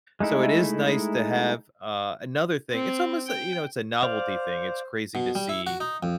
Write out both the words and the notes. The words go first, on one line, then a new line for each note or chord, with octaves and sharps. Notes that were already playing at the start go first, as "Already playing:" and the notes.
so it is nice to have, uh another thing it's almost, you know, it's a novelty thing, it's crazy to see
G#3 A3 D#4 E4
C4
G5
C5 D5 F5
B2
G3
E4
F#4
D#4
F2